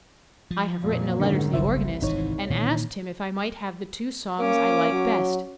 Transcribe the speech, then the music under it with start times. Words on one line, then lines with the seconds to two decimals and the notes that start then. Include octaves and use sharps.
I have written a letter to the organist, and asked him if I might have the two songs I like best.
0.51 F3
0.82 F2 A#2 A#3
1.20 G#2 D3 D#3 F#3 C#4 A#4
1.53 G1 C2 C#3 F#3 G3 C5 E5
2.02 G#1 E3 D#4 C#5
2.50 A#2 D#3 E3
4.39 A#3 C#4 D6
4.92 F#3